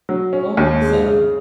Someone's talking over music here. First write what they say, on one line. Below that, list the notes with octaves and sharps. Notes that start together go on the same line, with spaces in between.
Oh, awesome.
F#3
C#4
D#2
G#3
C#3